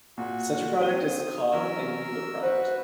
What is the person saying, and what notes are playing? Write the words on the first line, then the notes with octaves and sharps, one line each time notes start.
Such a product is called an Euler product.
A#2 F#4
C4 D#6 D#7 G7
E3 F#3 C#4 A#4 E6
F#4 B4 C5